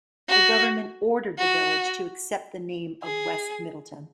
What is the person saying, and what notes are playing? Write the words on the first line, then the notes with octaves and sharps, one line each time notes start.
The government ordered the village to accept the name of West Middletown.
F#4
F#4
G#4